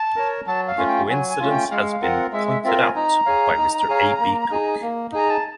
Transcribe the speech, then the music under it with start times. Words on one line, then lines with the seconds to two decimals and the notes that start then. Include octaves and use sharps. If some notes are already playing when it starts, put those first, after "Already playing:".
The coincidence has been pointed out by Mr. A. B. Cook.
Already playing: A5
0.16 A#4 C#5
0.47 F#3 A5
0.67 F5
0.77 A3 C#4 F4
0.87 G5
1.09 F#3 G#5
1.29 G#5
1.40 A3 C#4 F4
1.50 G5
1.70 G#3 F5
1.92 F5
2.02 C4 F4 A#4 F#5
2.32 G#3 E5
2.48 E5
2.63 C4 F4 A#4 E5
2.73 G5
2.80 G#5
2.95 D#4 A#5
3.26 G#4 C#5 F5
3.57 D#4
3.88 G#4 C#5 F5
4.20 A#3
4.50 D#4 G#4
4.82 A#3
5.12 D#4 G#4 A#5
5.30 A5